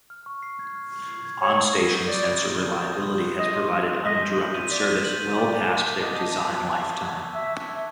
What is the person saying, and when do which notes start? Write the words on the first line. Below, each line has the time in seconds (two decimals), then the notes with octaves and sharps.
On-station sensor reliability has provided uninterrupted service well past their design lifetime.
0.10 F6
0.26 C#6
0.43 C7
0.59 G#6
0.75 F6
0.92 C#6
1.09 C7
1.25 G#6
1.41 C#5 D#6
1.57 B5
1.75 A#6
1.90 G6
2.07 D5 D#6
2.24 B5
2.40 A#6
2.57 G6
2.73 D#6
2.90 C6
3.06 C6
3.23 F#6
3.39 D#5 D#6
3.56 C6
3.72 C6
3.89 F#6
4.05 D#5 B6
4.22 G6
4.39 F#7
4.54 D#7
4.70 D5 B6
4.88 G6
5.04 F#7
5.20 D#7
5.37 D5 D6
5.53 A5
5.70 B6
5.87 F#6
6.03 D#5 D6
6.19 A5
6.36 B6
6.53 F#6
6.69 C#6
6.85 A5
7.02 G#6
7.18 E6
7.34 E5 C#6
7.51 A5
7.67 G#6